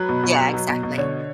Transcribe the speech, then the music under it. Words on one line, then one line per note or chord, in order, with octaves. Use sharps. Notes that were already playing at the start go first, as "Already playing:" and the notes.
Yeah, exactly.
Already playing: F#3 B4
B2
B2
F#3
F#3
B2
B2
D3 C#5